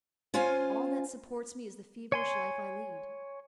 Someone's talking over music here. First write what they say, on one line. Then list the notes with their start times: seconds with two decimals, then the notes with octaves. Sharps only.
All that supports me is the feverish life I lead.
0.34 C#4 F4 C5 F5 G#5
2.12 C#5 G#5 C6